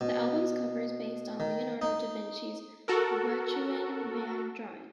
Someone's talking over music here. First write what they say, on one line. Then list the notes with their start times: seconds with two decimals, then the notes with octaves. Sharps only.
The album's cover art is based on Leonardo da Vinci's "Vitruvian Man" drawing.
0.01 B2
1.40 D#3
1.82 D#4
2.88 F#4 A4 A#4